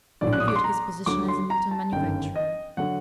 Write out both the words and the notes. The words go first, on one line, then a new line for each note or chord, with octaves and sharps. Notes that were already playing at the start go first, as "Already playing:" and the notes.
He reviewed his position as a Milton manufacturer.
A#1 A2 F#3 D5
F#6
D#6
D6
C6
A#5
D2 D3 F#3 D6
C6
A#5
A5
G1 F#2 D#3 G5
D#5
D3 F#3 F#5